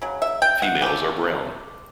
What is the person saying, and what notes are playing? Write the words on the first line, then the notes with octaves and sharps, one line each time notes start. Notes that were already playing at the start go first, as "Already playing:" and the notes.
Females are brown.
C#3 F#3
E5
G5
F#5
C#3 E3 A3 G4